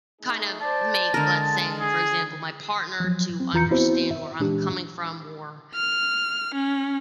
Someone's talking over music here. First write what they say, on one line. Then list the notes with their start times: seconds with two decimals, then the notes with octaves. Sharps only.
kind of make, let's say, for example, my partner to understand where I'm coming from or
0.21 A3 D#4 G#4
0.61 C5 D5 A5
1.14 D3 G#3 A#4
1.80 G#4
3.00 F3 F#3
3.40 C4
3.53 E2 E3 F4 A#5 G6 C#7
3.71 B3 C4 E4 F#4 C5
4.11 E5
4.39 A#2 E3 G#3 D4 G4
5.75 F6
6.54 C#4